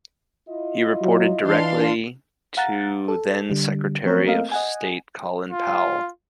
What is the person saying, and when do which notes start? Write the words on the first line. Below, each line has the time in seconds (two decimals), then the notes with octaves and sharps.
He reported directly to then Secretary of State Colin Powell.
0.49 E4 F4 D#5
1.02 F#3
1.46 E3 D4 F5 C6
2.57 F5 F#5 A#5 A6
3.08 A4
3.50 D3 G3
4.05 F3 A3 C4 A#4 C#5
4.25 A3 A#3 C4 A#4 D#5 F5
4.52 D#5 F#5 G#5
5.51 F4